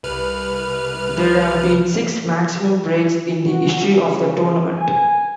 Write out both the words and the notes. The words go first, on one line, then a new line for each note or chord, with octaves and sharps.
There have been six maximum breaks in the history of the tournament.
C2 B4 F6
F#4
C#3
G#5